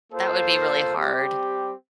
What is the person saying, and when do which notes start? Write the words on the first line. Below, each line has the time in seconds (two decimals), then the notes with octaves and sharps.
That would be really hard.
0.11 A#3 F4 A4 C5
0.93 G3 C4 G4